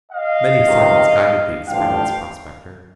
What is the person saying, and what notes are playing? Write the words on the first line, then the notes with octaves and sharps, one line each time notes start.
Many signs guided the experienced prospector.
D#5 F5
C#2 C3 D#3
A1 G2 D3 F3 F5 G5